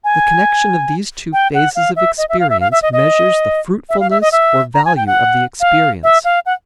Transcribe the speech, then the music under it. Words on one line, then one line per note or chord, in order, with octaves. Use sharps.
The connection of these two phases of experience measures the fruitfulness or value of the experience.
G#5
G5
F#5
F5
E5
D#5
E5
F5
E5
F5
E5
D#5
D#5
E5
F5
E5
D#5
E5
A#5
G#5
G5
F#5
F5
E5
F5
F#5